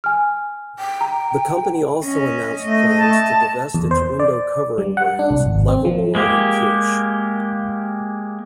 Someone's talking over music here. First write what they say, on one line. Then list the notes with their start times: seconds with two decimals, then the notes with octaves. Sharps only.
The company also announced plans to divest its window covering brands Levolor and Kirsch.
0.04 G#5 F6
0.79 G5
1.01 A#5
2.04 C#4 D#5
2.60 A3 D#5
2.97 A5
3.74 E2
3.91 C5
4.19 D5
4.78 G3
4.97 F#5
5.19 D4
5.31 C2
5.46 G#1
5.68 C4
5.85 F3
6.15 G#3 A#3 G4